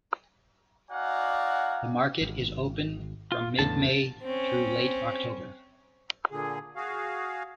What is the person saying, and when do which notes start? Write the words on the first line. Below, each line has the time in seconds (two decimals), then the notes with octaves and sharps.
The market is open from mid-May through late October.
0.91 D#4 F#4 D5 F5 F#5 G#5
2.22 G#1
3.32 F4
3.59 E2 A2 D3 A5
4.23 C4 C#4
6.31 A#2 D3 G#4
6.76 F#4 G#4 F5